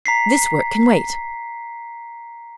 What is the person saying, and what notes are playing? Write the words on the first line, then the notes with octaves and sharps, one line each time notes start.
'This work can wait.
A#5 B6 C7